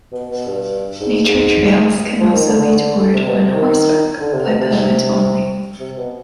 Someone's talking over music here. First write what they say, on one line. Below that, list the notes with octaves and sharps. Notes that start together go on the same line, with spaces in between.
Nature trails can also be toured on horseback by permit only.
B2
B2
G2
G#2
G#2
F3
D#3
D3
D3
C3
B2
C3
D#3
D3
C3
B2
C3
C3
B2